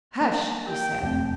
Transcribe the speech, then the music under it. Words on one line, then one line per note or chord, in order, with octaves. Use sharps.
"Hush!" he said.
A#3
G4 G5
E1 F2 F3 A3 C4 G5